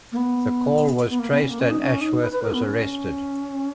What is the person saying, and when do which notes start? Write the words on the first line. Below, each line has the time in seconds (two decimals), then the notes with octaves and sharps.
The call was traced and Ashworth was arrested.
0.12 A#3
0.17 B3
1.09 B3
1.19 A#3
1.30 B3
1.40 C#4
1.50 A#3
1.60 C#4
1.70 D#4
1.81 C#4
2.01 D#4
2.22 B4
2.32 B4
2.43 A#4
2.52 B3
2.63 C#4